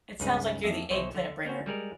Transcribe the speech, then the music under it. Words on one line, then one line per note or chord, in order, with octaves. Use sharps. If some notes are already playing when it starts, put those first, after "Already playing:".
It sounds like you're the eggplant bringer.
C#2 G2 D#4 G#4 B4
F2 A#3 A4 E5
B1 B2 C5 C#5 D#5 E5
D3
A#3 C4 C#4 F#4
G3 G#3 A#4 D5